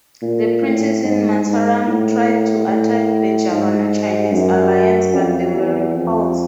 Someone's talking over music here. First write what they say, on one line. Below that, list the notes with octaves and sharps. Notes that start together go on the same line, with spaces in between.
The princes in Mataram tried to attack the Javano-Chinese alliance but they were repulsed.
A#2
A2
G#2
G#2
A2
A2
G#2
F#2
F2
E2
F2